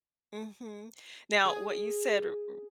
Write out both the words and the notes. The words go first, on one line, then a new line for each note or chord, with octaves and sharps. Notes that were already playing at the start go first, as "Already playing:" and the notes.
Mhm, now, what you said, r r
G#4